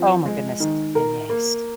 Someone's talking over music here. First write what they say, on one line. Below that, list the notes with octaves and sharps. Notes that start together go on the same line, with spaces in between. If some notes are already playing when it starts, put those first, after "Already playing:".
Oh my goodness, beignets.
Already playing: F3 C4
G#3
D#3
A#4
A#3